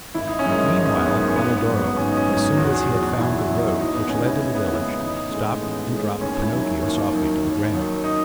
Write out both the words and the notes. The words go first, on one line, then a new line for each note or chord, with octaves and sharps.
Meanwhile, Alidoro, as soon as he had found the road which led to the village, stopped and dropped Pinocchio softly to the ground.
G#1 E4
D#4
C#4
F#2 D#3 G#3
D#4
G#1 D#4
C#4
B3
F#2 D#3 G#3 C#4
C#4
G#1 B3
B3
G#2 F#3
B3
G#1 C#4
D#4
C#4
G#2 F#3
D#4
E2 F#4
G#4
B2 F#3
F#4
E2 E4
E4
B2 F#3
D#4
D#2 D#4
B3
C#3 G#3 C#4
E4
D#2
B3
C#4
C#3 G#3 E4
D#4
A1 D#4
A2 G#3
A1 B3
A2 G#3
D#2 C#4
E4
D#3 F#3
C#4
D#2
D#3 F#3
D#2
D#3 F#3
D#4